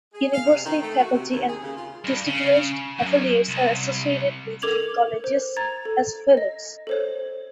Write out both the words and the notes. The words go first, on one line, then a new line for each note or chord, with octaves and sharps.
University faculty and distinguished affiliates are associated with the colleges as fellows.
G#4
F5
C3
D#3
A3
F#4
C3
D#2
G#4
C#3
F4
G2
C#3
F#2
C2
A4 A#4 D6 G#6 F7 F#7
C5
A#5 G#6 A6
A4
D#5
A4 C5 C#5